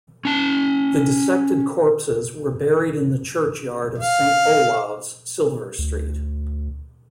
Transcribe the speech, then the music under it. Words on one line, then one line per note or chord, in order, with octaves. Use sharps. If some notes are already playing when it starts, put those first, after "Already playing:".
The dissected corpses were buried in the churchyard of Saint Olave's, Silver Street.
C#4 A5
F5
D2